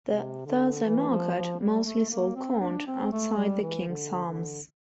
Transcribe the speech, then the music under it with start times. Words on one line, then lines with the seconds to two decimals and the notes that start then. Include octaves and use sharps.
The Thursday market mostly sold corn outside the King's Arms.
0.07 C3
0.46 D3
0.83 E3
1.09 F3
1.34 F3
1.60 G3
1.85 A3
2.10 A#3
2.35 C4
2.60 D4
2.87 C4
3.12 A3
3.37 G3
3.62 E3
3.87 D3
4.25 D3